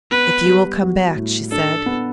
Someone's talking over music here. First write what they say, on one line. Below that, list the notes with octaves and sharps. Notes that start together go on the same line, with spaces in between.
"If you will come back," she said.
B3 B4
G3
F#4
A2
D4 A4
B3